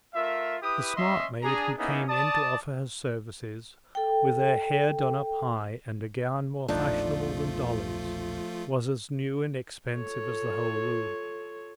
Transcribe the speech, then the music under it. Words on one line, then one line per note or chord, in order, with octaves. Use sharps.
The smart maid, who came in to offer her services, with her hair done up high, and a gown more fashionable than Dolly's, was as new and expensive as the whole room.
A3 F4 A#4 E5
E4 G4 B4 D#6
C#4 D#5 E5 C6
D4 G#4 A#5
A#3 B3 C#4 D#4 E4 G#4
D5 A5 D#6
A4 G5
E1 A#1 F3 A3 D4 D#4 F4
F4 A4 C#5